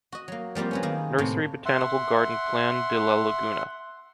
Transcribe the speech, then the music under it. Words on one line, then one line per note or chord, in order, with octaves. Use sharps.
Nursery Botanical Garden Plan de la Laguna.
F#4 D#5
F#3 A#3
F3 G3 A#3 C4 G4
F#3 B3 C#4
D#3 A#3 G#4
A2 C3
E5 F#5 C6